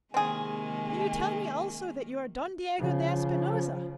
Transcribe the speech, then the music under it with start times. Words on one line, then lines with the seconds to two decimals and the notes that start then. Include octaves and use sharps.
"Will you tell me also that you are Don Diego de Espinosa?"
0.14 C3 D#3 G#3 A#3 C4 G#4 G#5
2.79 C#3 F3